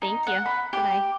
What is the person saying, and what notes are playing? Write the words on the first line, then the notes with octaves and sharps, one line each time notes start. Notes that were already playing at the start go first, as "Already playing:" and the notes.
Thank you. Goodbye.
D#4
F#5
B5
G4